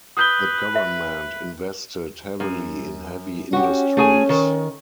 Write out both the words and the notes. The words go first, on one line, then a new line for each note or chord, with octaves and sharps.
The government invested heavily in heavy industries.
B4 D#6 G6 G7
E5
F#2
C#4 F#4 G4
A3 G#4 G#5
D#3